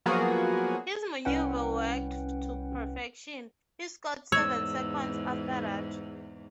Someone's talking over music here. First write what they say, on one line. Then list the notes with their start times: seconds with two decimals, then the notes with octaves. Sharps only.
His maneuver worked to perfection: He scored seven seconds after that.
0.06 F3 F#3 A#3 B3 F#4 G#4
1.25 C2 C#4 B4 F#5 G5
4.32 E2 G#2 C#5 E6